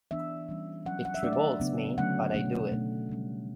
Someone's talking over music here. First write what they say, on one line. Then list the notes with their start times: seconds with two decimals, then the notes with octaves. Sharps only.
It revolts me, but I do it.
0.11 E3 B3 D4 E5
0.49 E3 G3 C#4
0.86 F#3 C#4 F#5
1.05 F#5
1.14 E5
1.23 F#3 A3 D4 D5
1.33 E5
1.60 C#3 F#3 B3 D4
1.97 D3 F#3 A3 C#4 F#5
2.34 B2 A3 C#4
2.72 B2 A3 D4
3.09 C#3 G3 C#4